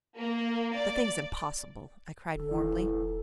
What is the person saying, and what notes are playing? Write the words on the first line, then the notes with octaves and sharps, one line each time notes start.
"The thing's impossible!" I cried warmly.
A#3
D5
E1 A4
E3